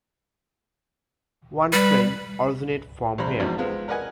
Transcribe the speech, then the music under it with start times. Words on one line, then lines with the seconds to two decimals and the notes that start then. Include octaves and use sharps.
One train originate from here.
1.73 G3 B4
3.18 A1 G3 C5 A#5 B5
3.40 A#1 E2 G#2 B2
3.58 G#3 B3 C4 F4
3.88 A#4 B4 D5 D#5 F#5 G#5